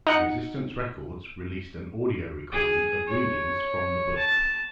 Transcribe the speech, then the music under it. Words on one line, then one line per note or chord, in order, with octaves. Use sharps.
Resistance Records released an audio recording of readings from the book.
D#4 F#5 C#7
G#4
C#5
A5